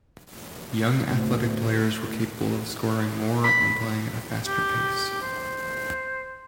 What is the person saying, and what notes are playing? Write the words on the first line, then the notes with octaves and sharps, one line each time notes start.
Young athletic players were capable of scoring more and playing at a faster pace.
D2 A2
B5
G4
C5